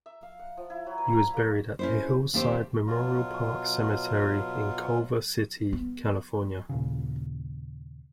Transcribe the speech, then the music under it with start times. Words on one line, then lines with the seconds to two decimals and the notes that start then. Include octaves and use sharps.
He was buried at the Hillside Memorial Park Cemetery in Culver City, California.
0.06 E5
0.23 F5
0.39 F#5
0.57 F3
0.70 E4
0.86 F#3
0.98 B4
1.13 A#5
1.34 A#3
1.79 C#4 E4 C5
2.34 D#2 A3 C4 G4 C5
2.86 B2 F#3 F4
5.73 B3
6.69 D#2 A#2 C#3